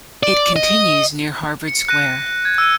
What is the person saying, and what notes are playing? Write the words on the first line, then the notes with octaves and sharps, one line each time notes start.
It continues near Harvard Square.
D5
D#5
C#7
F#6 A#6 D#7
G#6
E6 D#7